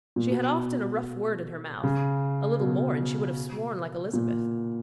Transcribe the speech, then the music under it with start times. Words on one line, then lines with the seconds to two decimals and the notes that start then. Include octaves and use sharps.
She had often a rough word in her mouth; a little more, and she would have sworn like Elizabeth.
0.16 A#2
0.30 B2
1.83 C#3
2.60 B2
4.13 A#2